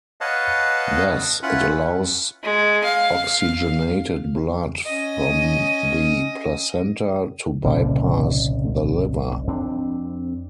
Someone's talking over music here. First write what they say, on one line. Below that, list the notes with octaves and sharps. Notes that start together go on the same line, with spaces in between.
Thus, it allows oxygenated blood from the placenta to bypass the liver.
B4 C#5 D#5 F5 F#5 A5
C#4 E4 F4 B4 F#5 B5
G#3
F5
C#4 D#5
F1 C2 A#2 C#3 G3 A#3
F2 C4 D4